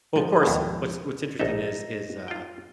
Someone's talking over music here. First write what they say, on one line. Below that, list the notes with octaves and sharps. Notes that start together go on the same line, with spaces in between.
Well, of course, what's what's interesting is is, uh,
G#2 F3
D#2 B2
A#1 D#4 A4 E5
F4 G5